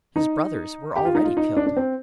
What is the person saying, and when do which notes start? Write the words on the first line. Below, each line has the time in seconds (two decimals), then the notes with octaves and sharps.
His brothers were already killed.
0.16 D#4
0.96 G4
1.05 F4
1.15 D#4
1.24 F4
1.37 D#4
1.57 D4
1.67 D4
1.77 C4